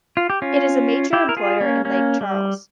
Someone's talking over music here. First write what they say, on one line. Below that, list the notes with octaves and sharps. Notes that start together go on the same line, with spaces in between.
It is a major employer in Lake Charles.
F4
G4
C#4 F4
E4 G4
A#4
F4 G#4
A#3 C#4
A#3 C#4
G3